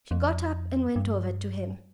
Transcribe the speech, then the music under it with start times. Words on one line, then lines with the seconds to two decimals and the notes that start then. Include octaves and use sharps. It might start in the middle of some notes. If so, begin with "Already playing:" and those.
She got up and went over to him.
0.11 F2
0.96 G2